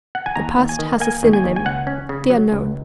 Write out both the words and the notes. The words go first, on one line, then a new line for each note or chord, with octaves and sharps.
The past has a synonym, the unknown.
F#5
G#5
D#2 A#5
D#2
G#5
D#3
A#3 G#5
D#2
G#5
D#2
G#5
C#2 F#5
C#4
C#3
F#3
C#2